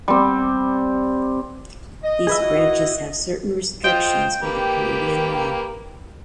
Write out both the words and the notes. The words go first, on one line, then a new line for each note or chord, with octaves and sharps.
These branches have certain restrictions under Canadian law.
G3 C4
D#5
G#4 B4 E5
E4 F#4
F4 C5 D#5 G5
A#3 G4 B4